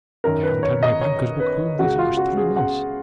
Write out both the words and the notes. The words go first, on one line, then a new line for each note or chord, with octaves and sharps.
I haven't had my banker's book home these last three months.
F#2 D#3 A#4
B4
C#5
D#5
C#5
B4
C#2 C#3 F#4
F4
F#4
G#4
F#5